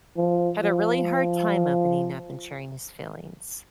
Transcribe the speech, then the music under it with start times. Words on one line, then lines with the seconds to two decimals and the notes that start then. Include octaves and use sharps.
had a really hard time opening up and sharing his feelings,
0.17 F3
0.63 F3